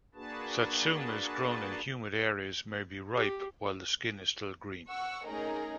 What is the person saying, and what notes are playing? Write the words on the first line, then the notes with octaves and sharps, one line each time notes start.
Satsumas grown in humid areas may be ripe while the skin is still green.
A#3 D4 F#4 G#4 B4 A5
G4
F#5 C#6 E6
A3 C#4 D#4 G#4 A#4